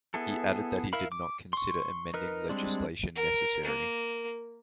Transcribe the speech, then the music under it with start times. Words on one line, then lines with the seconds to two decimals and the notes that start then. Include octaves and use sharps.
He added that he did not consider amending legislation necessary.
0.14 B3 E4 G#4 A4
0.93 E4 A#4 F5 B5
1.12 D6
1.53 C6 C#6
2.14 D#4 A#4 B4
2.49 G3 G#3 C4 D4
3.16 A#4
3.65 A#3